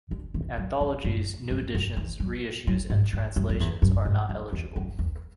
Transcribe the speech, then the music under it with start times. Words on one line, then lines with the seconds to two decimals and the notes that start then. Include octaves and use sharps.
Anthologies, new editions, re-issues and translations are not eligible.
0.11 D3
0.34 E3
0.58 F#3
0.81 E3
1.04 F#2
1.51 F#2
1.75 F#2
1.97 E3
2.20 F#3
2.67 F#3
2.90 G#2
3.13 G#2
3.36 F#2
3.49 F#2
3.60 E2
3.82 F#2
4.05 G#2
4.29 F#2
4.53 E2
4.76 F#2
4.99 E2